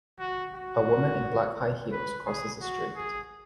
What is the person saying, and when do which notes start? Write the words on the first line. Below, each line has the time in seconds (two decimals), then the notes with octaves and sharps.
A woman in black high heels crosses a street.
0.20 F#4
0.54 F#4
1.92 B4
2.27 G#4
2.62 F#4
2.96 G#4